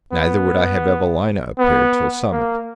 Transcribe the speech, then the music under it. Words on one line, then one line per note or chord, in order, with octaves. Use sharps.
Neither would I have Evelina appear till summoned.
B3
B3
A#3